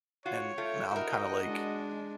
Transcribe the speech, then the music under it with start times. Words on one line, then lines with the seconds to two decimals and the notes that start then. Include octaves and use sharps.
and now I'm kinda like,
0.26 F4 F#4 C#5
0.58 A3 F4 G5
0.91 E4 F#4 A#4 D#5
1.44 G#3 D4